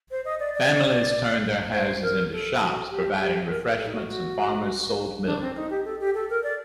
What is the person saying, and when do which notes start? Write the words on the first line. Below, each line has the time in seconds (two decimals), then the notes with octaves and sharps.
Families turned their houses into shops providing refreshments and farmers sold milk.
0.11 C5
0.25 D#5
0.40 D5
0.55 D5
1.73 C5
2.02 A#4
2.32 A4
2.61 F#4
2.90 G4
3.20 G4
3.49 A#4
3.64 A4
3.78 A4
3.86 D#4
3.93 F#4
4.08 F#4
5.26 D4
5.41 C4
5.56 D#4
5.70 G4
5.85 A4
6.00 G4
6.14 A4
6.30 A#4
6.43 D5